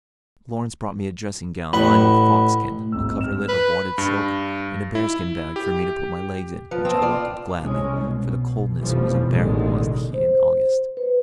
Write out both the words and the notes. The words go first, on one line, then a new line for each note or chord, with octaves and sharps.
Lawrence brought me a dressing-gown lined with foxskin, a coverlet of wadded silk, and a bear- skin bag for me to put my legs in, which I welcomed gladly, for the coldness was unbearable as the heat in August.
A1 F#5 B5
A2
G#1 E6
F6 E7
B4
G2
E4
G4
F3 B4
C4 G5 A5 D#6
F4 D5
C2 G#3 C#4
B2
F1 B2 E3 F3 G3 A3
A1 B2 D3 D#3 G#3
C5
B4